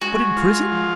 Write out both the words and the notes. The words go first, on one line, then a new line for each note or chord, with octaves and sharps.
"But in prison?"
G#3 F#4
F4
F3